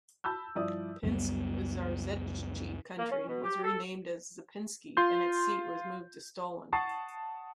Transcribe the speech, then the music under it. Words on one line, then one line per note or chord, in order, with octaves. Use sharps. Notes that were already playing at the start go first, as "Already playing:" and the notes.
Pinsk-Zarzeche country was renamed as Zapynsky and its seat was moved to Stolin.
A5 B5 E6 G6
G2 F3 E4 D5 D#6
C#2 F#2 G3 B3
A#3
C#4
B2
G4
A4
F4 C6 G6
F#5 A5 C#6 D#6 A6 C7